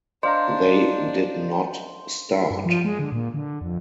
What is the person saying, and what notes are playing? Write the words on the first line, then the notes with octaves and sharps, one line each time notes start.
They did not start.
D4 C5 D5 D#5 F5 A#5
G2
F3
G#3
D3
A#2
D3
F2